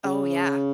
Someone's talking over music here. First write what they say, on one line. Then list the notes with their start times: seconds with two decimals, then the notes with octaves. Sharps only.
Oh, yeah.
0.04 C#3